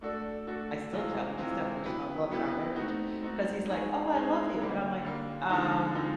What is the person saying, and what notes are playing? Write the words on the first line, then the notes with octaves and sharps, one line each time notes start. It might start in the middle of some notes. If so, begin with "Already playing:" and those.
I still challenge his definition on love in our marriage, 'cause he's, like, "Oh, I love you." And I'm, like, "Um,
A3 D4 F#4 A4 D5
A3 D4 F#4 A4 D5
C3 E3 G#3 C4 F4
C3 E3 G#3 C4 F4
F#3 B3 E4 G4 B4
F#3 B3 E4 G4 B4
A3 C4 D#4 F#4
A3 C4 D#4 F#4
G#3 C4 D#4 G#4 C#5
G#3 C4 D#4 G#4 C#5
D3 G3 A#3
D3 G3 A#3
D3 F3 G#3 C4 D#4
D3 F3 G#3 C4 D#4